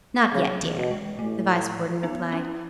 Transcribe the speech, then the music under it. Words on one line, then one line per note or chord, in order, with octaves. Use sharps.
"Not yet, dear," the Vice-Warden replied.
C#3 F#3
E3
B2
G#3
A2 A3
B3 D#4
C#4 E4